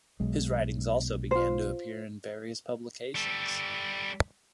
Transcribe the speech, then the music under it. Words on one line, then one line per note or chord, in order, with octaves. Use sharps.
His writings also began to appear in various publications.
B1 G#3
F4 C5
G3 A4